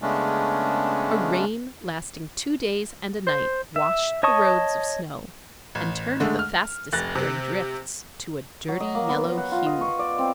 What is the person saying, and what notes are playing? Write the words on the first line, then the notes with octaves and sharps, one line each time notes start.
A rain lasting two days and a night washed the roads of snow and turned the fast disappearing drifts to a dirty yellow hue.
C#3 G#3 A3 B3 C#4 D4
C5
E5
C#5 D#5 A5 C#6 D#6
A1
D3 G#3 A3
F6
F1 F#6 A6 A#6
C3
F#3
D#5
A#3
B3
F#3
F#5
F4
D#5
C#6
D5
C4